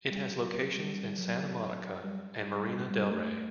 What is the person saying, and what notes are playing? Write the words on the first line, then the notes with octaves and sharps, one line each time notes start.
It has locations in Santa Monica and Marina Del Rey.
G3
F#3
G3
F#3
G3
G3
A3